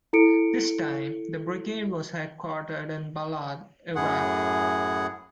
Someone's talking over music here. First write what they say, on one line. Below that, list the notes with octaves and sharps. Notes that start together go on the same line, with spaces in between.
This time, the brigade was headquartered in Balad, Iraq.
E4 A4 C#7 D7
F#2 A2 G#4 F#5